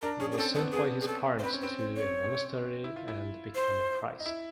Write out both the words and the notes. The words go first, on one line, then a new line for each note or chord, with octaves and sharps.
He was sent by his parents to a monastery and became a priest.
D4 A#4
C#4 G#4
G#4
C4 A4
B3 A4
B3 G#4
G#4
A4
C5
C4 B4
C#4
C4 B4
C5
C#5
E4
F4
E4
C5
D#4
E4